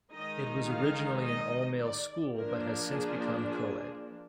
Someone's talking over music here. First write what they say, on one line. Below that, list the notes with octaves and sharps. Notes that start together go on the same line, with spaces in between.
It was originally an all-male school, but has since become co-ed.
D#3 G#3 D#4 D#5
F5
D#5
D5
F3 A#3 D4 A#4
G#4
G#4